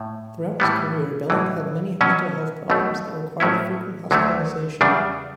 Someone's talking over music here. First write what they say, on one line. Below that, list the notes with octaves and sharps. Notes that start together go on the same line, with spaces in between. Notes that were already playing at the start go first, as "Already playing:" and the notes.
Throughout his career Belling had many mental health problems that required frequent hospitalisation.
Already playing: A2
A2 E3 G3 B3
B1 A2 E3
B2 F#3 C#4
B1 B2 A3
A1 A2 F#3 C#4 E4
D2 D3 F#3 A3
E2 C#3 G3 D4